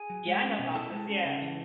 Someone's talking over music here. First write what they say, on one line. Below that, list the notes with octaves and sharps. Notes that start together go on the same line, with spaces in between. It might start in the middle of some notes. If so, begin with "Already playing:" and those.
Yeah, I know Maltas, yeah.
Already playing: G#4 G#5
F#3
G#3
C#4
B2
E4 A4 A5
G#3
C#4
C#3
E3